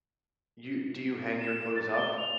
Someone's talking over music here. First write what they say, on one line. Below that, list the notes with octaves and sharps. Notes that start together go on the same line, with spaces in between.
you do you hang your clothes up?
E7
A6
G7
F7